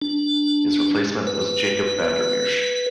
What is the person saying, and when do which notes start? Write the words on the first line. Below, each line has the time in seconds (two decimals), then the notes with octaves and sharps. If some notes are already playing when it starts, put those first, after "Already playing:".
His replacement was Jacob van der Meersh.
0.02 D4
1.27 B4